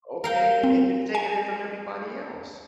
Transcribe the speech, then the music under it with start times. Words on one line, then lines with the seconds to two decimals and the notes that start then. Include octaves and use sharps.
Okay, and you're taking it from everybody else.
0.24 A#4 F5 G5
0.64 C4
1.15 G#5